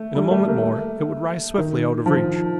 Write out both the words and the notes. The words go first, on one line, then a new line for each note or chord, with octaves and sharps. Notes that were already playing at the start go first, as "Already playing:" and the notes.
In a moment more it would rise swiftly out of reach.
Already playing: A3
G3
A3
A#3
A3
D#3
F3